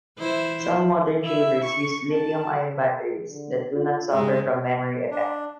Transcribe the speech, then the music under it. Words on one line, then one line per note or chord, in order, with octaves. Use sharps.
Some modern shavers use Lithium-ion batteries that do not suffer from memory effect.
E3 E4 C5
E4 E5
C#6
A5
G#4
D3
F4
G#2 C#3 G#3 G4
D4